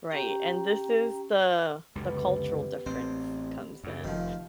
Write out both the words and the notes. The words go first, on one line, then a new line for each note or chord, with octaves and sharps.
Right, and this is the the cultural difference comes in
C#4 G4 G5 A#5
C#2 F#2 D3 B3 G4
A1 C4 C5
F#2 C#3
F1 D#3 F3